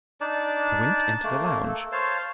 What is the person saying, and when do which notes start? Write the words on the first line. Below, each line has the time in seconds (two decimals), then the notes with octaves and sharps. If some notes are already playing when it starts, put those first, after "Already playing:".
I went into the lounge.
0.21 D4 D#4 D5 A5
1.24 A3 A#3
1.68 A4
1.92 C5 C#5 F5 A5